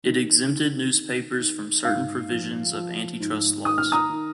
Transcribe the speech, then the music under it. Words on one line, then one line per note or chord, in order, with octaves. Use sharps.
It exempted newspapers from certain provisions of antitrust laws.
D#3
D#3
D#3
D#3
G#2 F5
F3
F3
G#2
D#3 D#6
F6
A#5 D#6
D#3